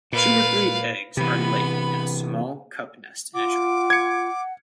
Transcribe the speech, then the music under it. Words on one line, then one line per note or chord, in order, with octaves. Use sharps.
Two or three eggs are laid in a small cup nest in a tree.
A#2 B4 F5
C3 E3 B3 B5
F4 F#5 D6
G#6 C#7